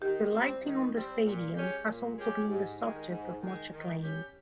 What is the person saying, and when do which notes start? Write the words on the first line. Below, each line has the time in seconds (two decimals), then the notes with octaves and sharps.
The lighting on the stadium has also been the subject of much acclaim.
0.02 D#3 G4
0.33 G3 C4
0.63 D#3
0.94 G3 C4
1.25 A#2
1.56 G#3 C#4 G4
1.86 A#2
2.17 G#3 C#4 G4
2.48 G#2 G4
2.79 D#3 G#3
3.09 G#2
3.40 D#3 G#3
3.71 D#3
4.02 G3 C#4 G4